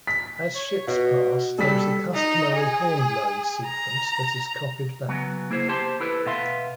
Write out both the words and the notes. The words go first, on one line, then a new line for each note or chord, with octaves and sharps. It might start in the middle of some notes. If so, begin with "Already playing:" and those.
As ships pass, there is a customary horn-blowing sequence that is copied back.
B6
C#5
B2 F#4
G3 A4 B6
D#4
G#4
A#5
C#3 F#3 B3
A#3 E4 G#4 C5
G4 C5 A5 C6
E4 A4 B4
B2 B3 E5 F5 C6